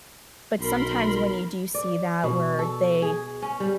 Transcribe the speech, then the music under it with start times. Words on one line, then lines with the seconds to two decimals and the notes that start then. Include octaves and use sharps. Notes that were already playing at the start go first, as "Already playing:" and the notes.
But sometimes when you do see that, where they
0.60 B1 A#4 B5 C6
1.74 D5
2.23 B2
2.59 A4
3.02 G#4
3.42 C#4
3.60 G3